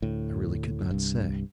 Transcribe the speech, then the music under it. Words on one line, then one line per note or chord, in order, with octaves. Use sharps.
'I really could not say.
D2 A2
C2 G2